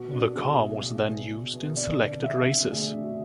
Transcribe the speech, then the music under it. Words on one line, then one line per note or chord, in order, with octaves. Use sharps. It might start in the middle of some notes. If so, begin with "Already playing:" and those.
The car was then used in selected races.
Already playing: B2 F#4
F#3 D4
B2 G#4
F#3 E5
B2 E5
B2
B2
B2
D3 D5
D3
D3 E5
D3
A3 G#4
D3
F#4